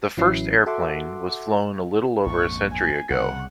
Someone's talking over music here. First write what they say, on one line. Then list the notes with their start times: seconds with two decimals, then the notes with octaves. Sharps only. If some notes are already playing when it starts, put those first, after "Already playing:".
The first airplane was flown a little over a century ago.
0.17 A1 E3 F#3 C#4 E4 C7
0.66 F#4 A4 E5 F#5 C6 D6
2.26 A#1 F2 G#2 C#6
2.72 G#5
3.10 C2 C#3 F#5